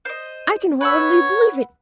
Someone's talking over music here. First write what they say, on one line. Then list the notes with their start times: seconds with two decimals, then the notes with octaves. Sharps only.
I can hardly believe it!
0.05 C5 D#5
0.81 B4 C#5 F#5 E6